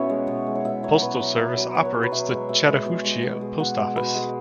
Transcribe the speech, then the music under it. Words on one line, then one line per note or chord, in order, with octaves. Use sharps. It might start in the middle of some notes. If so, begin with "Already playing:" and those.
Postal Service operates the Chattahoochee Post Office.
Already playing: B2 B3 C#4 E4 F#4 C#5 E5
G#3
B2
G#3
C#5
B2 E5
F#3 C#5
B2 B4
F#3
B2
F#3
B2 C#5
B4
F#3 G#4
B4
B2 E5
G#3 E5
B2 E5
G#3
B2
G#3
B2
G#3
B2 F#5
G#3
B2 B4
G#3